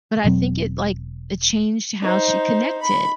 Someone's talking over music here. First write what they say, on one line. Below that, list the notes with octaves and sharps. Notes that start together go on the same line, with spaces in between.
but I think it, like it changed how she connected.
E1 B2 F#3 C4
D#4 C5
B5